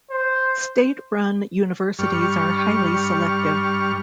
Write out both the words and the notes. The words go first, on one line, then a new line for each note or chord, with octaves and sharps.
State-run universities are highly selective.
C5
G2 G3 C#6 F6